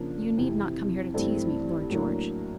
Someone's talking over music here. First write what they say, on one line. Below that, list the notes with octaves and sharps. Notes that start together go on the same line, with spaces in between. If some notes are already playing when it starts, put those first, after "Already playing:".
"You need not come here to tease me, Lord George."
Already playing: C#3 F3 A#3 D4
F2 C3 E3
G2 E3 A3 C4
A2 F#3 A#3 D4